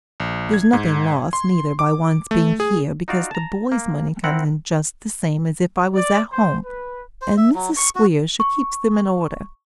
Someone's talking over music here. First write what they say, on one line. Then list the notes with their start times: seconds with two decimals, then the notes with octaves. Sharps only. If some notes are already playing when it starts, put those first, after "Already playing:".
There's nothing lost, neither, by one's being here; because the boys' money comes in just the same as if I was at home, and Mrs Squeers she keeps them in order.
0.20 A#1
0.54 G#6
0.73 G#2
1.33 C6
1.79 D6
2.31 A3
2.60 G#4
3.08 D#4 F4 F#4 D5 F5
3.31 A5 A#5
3.72 A#3
4.24 C4 E4 A#4 F#5
5.95 D5
6.32 C5
6.64 B4
7.22 C5
7.37 E5
7.54 F#3
7.77 C#6
7.95 F#4
8.40 C#6